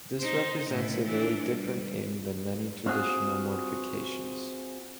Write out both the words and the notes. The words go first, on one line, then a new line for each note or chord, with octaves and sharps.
This represents a very different aim than many traditional mortifications.
D#4 C5
A2 C#3
E3 D4
G3
C4 F4 F#4 G#4